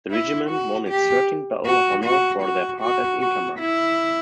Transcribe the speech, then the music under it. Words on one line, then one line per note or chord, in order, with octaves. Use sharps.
The "regiment" won its thirteenth battle honour for their part at Inkerman.
E4
F#4
G4
F#4
F#4
F#4
F#4
F#4
E4